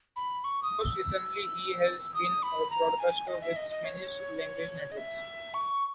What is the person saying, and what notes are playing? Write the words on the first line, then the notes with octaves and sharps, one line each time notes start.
Most recently, he has been a broadcaster with Spanish-language networks.
B5
C#6
D#6
E6
D#6
B5
A#5
G#5
D#5
E5
D#5
D#5
C#5
D#5
E5
C#6